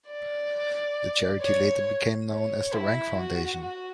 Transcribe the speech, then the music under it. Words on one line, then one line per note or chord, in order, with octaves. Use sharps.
The charity later became known as The Rank Foundation.
D5
C#5
C#5
E4
F#4
F#4